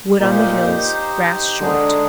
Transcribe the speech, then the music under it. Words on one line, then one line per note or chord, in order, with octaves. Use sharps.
Wood on the hills; grass short.
A#2 D#4 G4 C5
D3 G#3 D#4 G#4